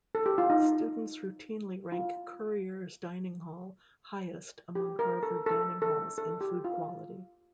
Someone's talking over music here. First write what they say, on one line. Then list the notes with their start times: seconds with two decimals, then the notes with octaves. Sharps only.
Students routinely rank Currier's dining hall highest among Harvard dining halls in food quality.
0.15 A4
0.26 G4
0.38 F4
0.50 D#4
1.92 F4
4.75 G4
4.99 A#4
5.23 A4
5.46 A4
5.82 A4
6.18 A4
6.41 G4
6.65 F4